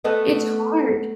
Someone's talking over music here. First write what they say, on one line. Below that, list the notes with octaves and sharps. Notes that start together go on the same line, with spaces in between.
It's hard,
A3 B3 D#5